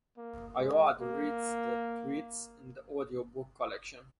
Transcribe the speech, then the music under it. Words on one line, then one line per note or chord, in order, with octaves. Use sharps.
Ayoade reads "The Twits" in the audiobook collection.
A#3
G#3
A#3